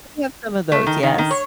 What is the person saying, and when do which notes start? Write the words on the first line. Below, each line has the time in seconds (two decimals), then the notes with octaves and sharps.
we have some of those. Yes.
0.72 A3
0.86 D#3
1.03 D#3
1.19 D#3
1.31 C#5